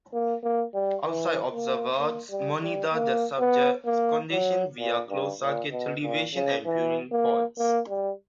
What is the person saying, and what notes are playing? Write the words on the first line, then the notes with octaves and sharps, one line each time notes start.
Outside observers monitor the subjects' condition via closed circuit television and viewing ports.
A#3
A#3
G3
E3
A#3
A#3
G3
G3
A#3
B3
A#3
F#3
A#2
G2
A#2
B2
A#2
C#3
E3
A#3
A#3
G3